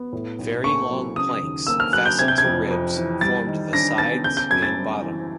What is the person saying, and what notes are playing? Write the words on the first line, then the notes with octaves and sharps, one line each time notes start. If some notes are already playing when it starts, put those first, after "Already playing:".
Very long planks, fastened to ribs, formed the sides and bottom.
Already playing: B3
A2
B1
A#3 C#6
F#3
C#3 D#6
D#2
A#3 E6
F6
F#3 F#6
G6
C3 G#6
G6
G#6
F2
F2
E3
G3 A6
D#3
D4 A#6
B3 A6
C#3 G6
G6
F#2 G#6
A6
G3
E3